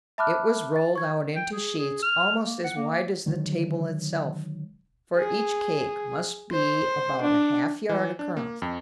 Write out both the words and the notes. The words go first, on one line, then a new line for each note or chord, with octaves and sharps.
It was rolled out into sheets almost as wide as the table itself, for each cake must be about a half-yard across.
E5 A5 B5 D6 F6 F#6
A6
C#6 G#6
G5
G#4
G#4
F6
A#3
F#5
A#3
D3 D#3 F#3 G#3
G#4
C5
D4
E3
D4
A#3
F2